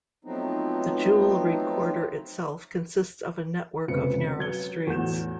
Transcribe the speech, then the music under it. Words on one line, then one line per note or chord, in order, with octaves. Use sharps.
The Jewellery Quarter itself consists of a network of narrow streets.
F3 F#3 A3 B3 C4 D#4
F1 C#3 G#3 B4 C5 C#7
F#3 B4 G#6 G7
E2 A2 F#4 G6 E7